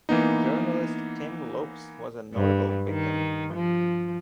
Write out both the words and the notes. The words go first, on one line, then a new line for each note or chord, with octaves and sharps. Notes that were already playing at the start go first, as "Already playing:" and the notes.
Journalist Tim Lopes was a notable victim.
E3 A#3 B3 D#4
G2
D#3
F3